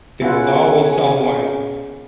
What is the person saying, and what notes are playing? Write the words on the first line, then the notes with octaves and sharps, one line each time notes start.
There was always someone
C#3 B3 E4 F4 F#5 G#5